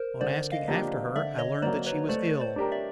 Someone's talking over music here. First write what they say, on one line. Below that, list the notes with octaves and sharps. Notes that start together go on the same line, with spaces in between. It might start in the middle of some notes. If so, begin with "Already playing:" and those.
On asking after her I learned that she was ill.
Already playing: A#4 C5
D3 C5 D5
D#5 F5
F3 A#3 D4 G4
D3 D5 E5
C#5 D#5
F#3 A#3 C5 D5
B4 C#5
A3 C5 D5
C5 D5
D4 G4 A#4
D5 E5